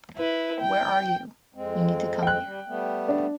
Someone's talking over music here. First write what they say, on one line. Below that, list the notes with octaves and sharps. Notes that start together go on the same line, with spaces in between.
Where are you? You need to come here.
E4 B4
G5
F2 G#3 C4
G5 F#6
G3
G3 A3 B3
D4